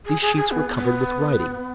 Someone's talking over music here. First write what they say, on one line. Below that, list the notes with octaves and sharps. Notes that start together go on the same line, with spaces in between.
These sheets were covered with writing.
G#4
G#4
G#4
B3
B3